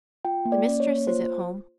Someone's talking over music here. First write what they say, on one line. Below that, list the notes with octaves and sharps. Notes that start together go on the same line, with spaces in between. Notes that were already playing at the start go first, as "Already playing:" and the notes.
The mistress is at home.
F4 G5
A#3
D5
C#4
C#5
A#3
F4 C5